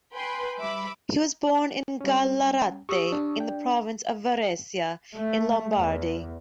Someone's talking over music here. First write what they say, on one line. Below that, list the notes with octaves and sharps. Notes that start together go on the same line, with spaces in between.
He was born in Gallarate, in the province of Varese in Lombardy.
B4 G5 G#5 B5 C6
G3 E5 B5 D6
G3 C#4
G4 C#6 D#6 E6
D4
G5
A3
E2